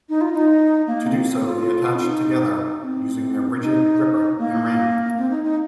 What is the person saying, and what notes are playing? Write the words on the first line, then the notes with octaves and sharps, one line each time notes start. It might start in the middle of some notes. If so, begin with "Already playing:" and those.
To do so, they attach together using their rigid gripper and ring.
D#4
F4
D#4
A#3
C4
C4
F4
C4
D#4
C4
C4
D#4
A#3
C4
D#4
D#4